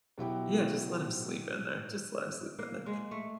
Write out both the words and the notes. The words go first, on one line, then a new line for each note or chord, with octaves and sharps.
Yeah, just let him sleep in there, just let him sleep in there.
B2 F#3 E4 G4
A#3
G#3
A3